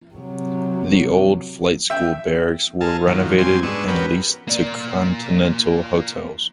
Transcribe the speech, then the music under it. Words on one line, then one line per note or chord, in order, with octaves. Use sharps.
The old flight school barracks were renovated and leased to Continental Hotels.
C3 F#3
E5 G5
G#4 A4 F5 A5 A#5
G2 A#2 D#3 F3 F#3
F#2 G3 C4 G#5 C6
G#2 G#3 B3 D4 C#6 E6
B3 C#4 F#4 G4 A#4 B4
A#3 D5